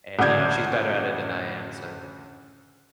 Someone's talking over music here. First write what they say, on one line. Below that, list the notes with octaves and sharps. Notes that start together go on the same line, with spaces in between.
and, you know, she's better at it than I am, so
A1 D2 C#3 D5 G6 G#6